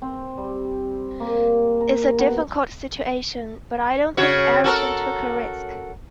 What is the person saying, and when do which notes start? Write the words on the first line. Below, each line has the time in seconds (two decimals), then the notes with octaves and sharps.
It's a difficult situation, but I don't think Ayrton took a risk.
0.02 C4
0.37 G3
1.20 A#3
1.81 A#4
2.19 B3
4.17 C#3 F#4 C#5
4.64 F#4 A4 A#4